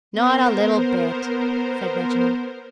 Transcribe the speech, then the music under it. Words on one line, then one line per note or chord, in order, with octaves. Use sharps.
'Not a little bit,' said Reginald.
B3 A#4 C5